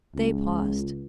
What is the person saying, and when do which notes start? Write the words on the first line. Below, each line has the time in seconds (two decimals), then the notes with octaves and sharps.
They paused.
0.15 C#2